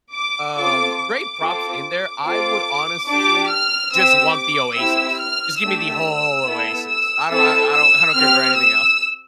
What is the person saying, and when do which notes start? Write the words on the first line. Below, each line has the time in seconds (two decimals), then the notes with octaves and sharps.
Um, great props in there. I would honestly just want the OASIS. Just give me the whole OASIS. I don't I I don't I don't care for anything else.
0.13 D6
0.56 C4 F4 A4 D6
0.98 D6
1.40 C4 F4 A4
2.24 C4 F4 A4 D6
3.09 D4 G4 D6
3.51 F6
3.93 C4 G4 E6
4.35 D6
4.77 C4 E4 G4 E6
5.19 F6
5.62 A3 D4 G4 E6
6.46 B3 E4 A4
6.88 E6
7.30 C4 E4 A4 E6
7.72 E6
8.14 C4 G4 F6
8.56 E6